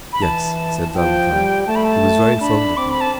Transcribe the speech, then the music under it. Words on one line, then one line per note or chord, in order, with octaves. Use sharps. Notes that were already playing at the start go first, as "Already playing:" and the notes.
"Yes," said Valentine, "he was very fond of me."
B5
E3 A5
F3 G5
G3
A3 A5
B5
A5
D4 B5
C4 D6
B5
A5